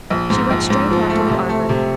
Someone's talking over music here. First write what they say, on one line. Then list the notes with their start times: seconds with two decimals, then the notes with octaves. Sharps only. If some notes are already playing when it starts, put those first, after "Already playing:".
She went straight on to the arbor.
0.10 A#1
0.30 G#2
0.50 A#1
0.70 G#2
0.91 F3
1.10 A3
1.30 C3
1.49 A3
1.69 C3